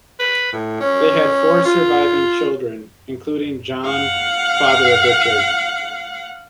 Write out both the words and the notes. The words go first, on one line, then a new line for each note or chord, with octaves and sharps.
They had four surviving children, including John, father of Richard.
B4
A2
C#4
F4
F5 F#5